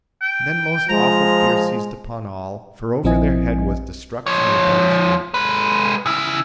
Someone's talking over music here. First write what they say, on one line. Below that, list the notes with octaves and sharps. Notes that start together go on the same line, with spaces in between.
Then most awful fear seized upon all; for over their head was destruction without escape.
G5
F3 G#3 A#5
A#1 F3 C4 E4 D#5 G#5
F3 C#5
G#3 B4
C#3 E4